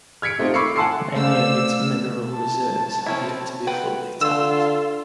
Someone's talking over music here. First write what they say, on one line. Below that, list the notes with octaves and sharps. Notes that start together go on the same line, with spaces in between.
Many of its mineral reserves have yet to be fully tapped.
F6 G#6 B6 C#7 D7
G3 A3 C4 D#4 F4 G4
B5 C#6 D6 E6 C7 C#7
F#5 G#5 A5 C6 E6 C7
A3 C5 D5 F5 E6
A5
C4 C#4 E4
B4 F#5 G5
D3 F4 E6